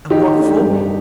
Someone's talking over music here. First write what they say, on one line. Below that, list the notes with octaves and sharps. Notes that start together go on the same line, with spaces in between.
"And what for?"
D#3 D#4 G4
A3 D4
G2